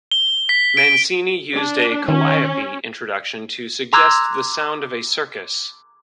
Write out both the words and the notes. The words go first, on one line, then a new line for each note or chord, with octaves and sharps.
Mancini used a calliope introduction to suggest the sound of a circus.
G7
B6
D7
D4
D#3 C#4
A#5 C6 D6 E6 F#6 G#6